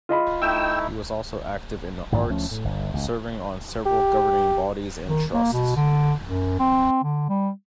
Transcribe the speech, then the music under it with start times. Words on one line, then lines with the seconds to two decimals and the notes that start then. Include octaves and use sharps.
He was also active in the arts, serving on several governing bodies and trusts.
0.09 F4 D#5 B5
0.42 A3 D#4 E4 G5 E6
2.12 A1 G#2 D#3
2.30 D2 F3 A3 C#4
2.51 A2
2.65 G1
2.93 C#2
3.86 G4
5.07 D#3
5.34 A#3
5.53 B2
5.77 D3
6.23 F#2
6.60 C4
7.04 D3
7.29 G3